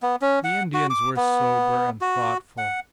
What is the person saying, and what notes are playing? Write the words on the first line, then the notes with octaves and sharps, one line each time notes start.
The Indians were sober and thoughtful.
B3
C#4
F#5
F#4
D6
B3
F#4
F#5